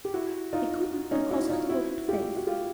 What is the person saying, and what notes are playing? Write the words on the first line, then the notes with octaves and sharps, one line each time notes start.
He couldn't because of the wooden face.
G4
E4 F#4
D#4 F4
C#4 D#4
E4 F#4
D#4 F4
E4 F#4
F4 G4
F#4
F4 G4